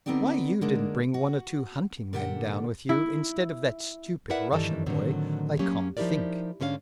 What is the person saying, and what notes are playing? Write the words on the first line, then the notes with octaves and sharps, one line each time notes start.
"Why you didn't bring one or two hunting men down with you, instead of that stupid Russian boy, I can't think."
D3 B3 C4 D#4 G4 D5
D3 G#3 A#3 D4 D#4
F#4
A#2 D3 G4 A4 F#5
E4
E4 A#4 B4 D5 E5 F#5
G2 D#3 E3 G3 A4 D#5
A2 D3 D#3 F#3 C4
F#3 A#3 C#4 G4
F3 D#4 E4 G4 A#4 D5
G#2 D3 C#4 C5 F5